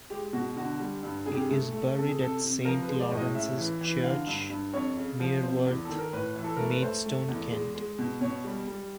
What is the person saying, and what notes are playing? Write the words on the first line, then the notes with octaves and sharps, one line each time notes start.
He is buried at Saint Lawrence's Church Mereworth, Maidstone, Kent.
G#3 G4
B2 F#4
D3 F#4
G3
G2
C3 G#4
G4
G#4
A3
A3
C3 A4
G#4
C3 A4
C3
F3 A#4
B4
G#3
D5
A2
D#5
C#3 E5
E3
E3
D3 F5
G2
G2
F2 C#5
C#3
F3
C3 C5
E2
D#3 A4
A#4
A2 B4
E3
A4
A3 A#4
B4
A3 C5
A3
E2
G#3
G#3
B2
B2 C#5
G3
G3